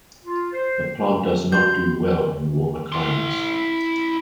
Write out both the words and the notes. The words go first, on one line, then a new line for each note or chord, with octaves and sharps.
The plant does not do well in warmer climates.
F4
C5
F#4 C6 G6
E4 C6